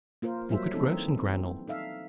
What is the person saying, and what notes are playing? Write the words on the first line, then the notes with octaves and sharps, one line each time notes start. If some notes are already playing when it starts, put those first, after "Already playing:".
Look at Grossengrannel.
A#3 F4 A#4 C5
F#3 G3 C5 E5
E3 A#3 C4 C#4 D#4 A4
C4
D#4 A4 E5 F5